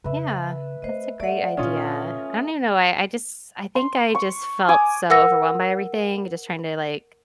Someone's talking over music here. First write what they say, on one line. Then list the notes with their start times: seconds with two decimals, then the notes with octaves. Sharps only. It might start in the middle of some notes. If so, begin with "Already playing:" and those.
Yeah. That's a great idea. I don't even know. I I just I think I just felt so overwhelmed by everything. Just trying to, like,
0.04 F2 C#3 B4 E5
0.82 A3 C4 C5 D#5
1.20 A3 D#4 D5 F#5
1.57 A#2 D3 C#4 F4 G#5 D#6
3.75 C6
4.15 C#6
4.69 G#5 D6 D#6
5.10 A#4 F#5 E6 A#6